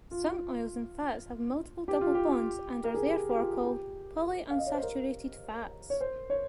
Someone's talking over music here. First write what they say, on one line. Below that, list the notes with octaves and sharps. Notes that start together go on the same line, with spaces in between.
Some oils and fats have multiple double bonds and are therefore called polyunsaturated fats.
F4
G4
F4
G4
A#4
G#4
G4
G4
F4
G4
F5
D#5
C#5
C5
A#4
C#5
C5
C#5